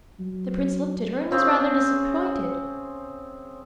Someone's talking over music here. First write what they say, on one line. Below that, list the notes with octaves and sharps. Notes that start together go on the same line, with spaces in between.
The prince looked at her and was rather disappointed.
F#3
C#3 C4 C#4 G#4